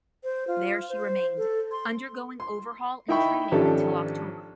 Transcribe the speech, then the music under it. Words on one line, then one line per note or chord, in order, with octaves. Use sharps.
There she remained, undergoing overhaul and training until October.
C5
F4
C5
A4
C6
C6
D#4 E4 E5 G5 B5 C#6
G#1 F3 C#4 D4 G4 A4